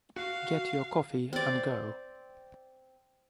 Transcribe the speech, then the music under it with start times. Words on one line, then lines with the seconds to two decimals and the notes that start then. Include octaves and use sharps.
Get your coffee and go.
0.16 F#4 F5
1.33 C4 D5